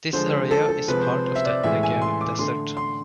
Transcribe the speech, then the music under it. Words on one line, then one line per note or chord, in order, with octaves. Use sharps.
This area is a part of the Negev desert.
D3 F3 G#3 C5
A4
A4
C3 F3 G#3 B4
C5
C5
E5
D5
A2 E3 G#3 E5
G#5
C6
D6
D3 A3 C6
C6